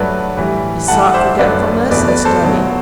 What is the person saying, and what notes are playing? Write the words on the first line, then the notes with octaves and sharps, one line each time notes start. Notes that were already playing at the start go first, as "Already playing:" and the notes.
He sought forgetfulness in study.
Already playing: G2 F#3 A3 B4 D5
A2 E3 G3
G2 E3 A3 F#5 A5
C5 E5
F#2 D3 A3 B4 D5
E2 B2 A3 B4 D5
B4 D5
A4 C5
B2 F#3 A3